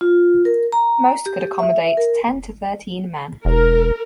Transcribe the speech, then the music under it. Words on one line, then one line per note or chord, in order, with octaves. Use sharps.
Most could accommodate ten to thirteen men.
F4
A#4
A#5
G4
E5
A#4
E1 A#4